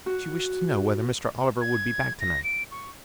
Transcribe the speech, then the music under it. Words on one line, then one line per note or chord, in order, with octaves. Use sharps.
"She wished to know whether Mr. Oliver would be back to-night."
F#4
G#6
A#6
D7
C#6